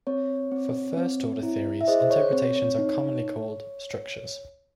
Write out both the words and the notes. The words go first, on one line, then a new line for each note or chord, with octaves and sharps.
For first-order theories, interpretations are commonly called structures.
C4 C#5
C4
C4
E4
E5
G#4 C5 D#5
C5
C#5
C4 C#5
C#5
D#4